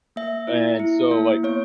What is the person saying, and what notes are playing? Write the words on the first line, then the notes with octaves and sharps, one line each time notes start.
And so, like,
A#3 E5
E4
E4
A#3
B3 C#5